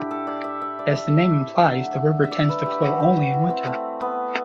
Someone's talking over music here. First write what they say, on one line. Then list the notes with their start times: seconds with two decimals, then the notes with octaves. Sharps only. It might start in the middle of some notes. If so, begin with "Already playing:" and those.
As the name implies, the river tends to flow only in winter.
Already playing: A2 D4 E4 G4
0.11 A4
0.27 D5
0.44 E5
0.62 E5
0.79 D5
0.96 E5
1.20 E5
1.63 D3 F#3 A3
2.24 E5
2.31 D5
2.49 B4
2.66 G4
2.82 F#4
3.00 G4
3.17 F#4
3.33 E4
3.50 C4
3.67 A3
4.01 B3